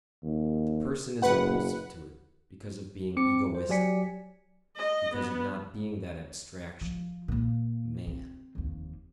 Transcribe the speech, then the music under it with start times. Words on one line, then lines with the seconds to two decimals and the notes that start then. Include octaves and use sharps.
The person is repulsive to it because of being "egoistic," because of not being that abstraction, Man.
0.23 D#2
1.22 F#1 B4 F#5
3.17 C4 D6 C#7
3.55 C5
3.69 F#3 G4 D5 G#5 B6 C#7
4.77 D#5
5.15 B3
6.81 F3
7.28 A#2 A#3
8.07 C4
8.55 F1 D#2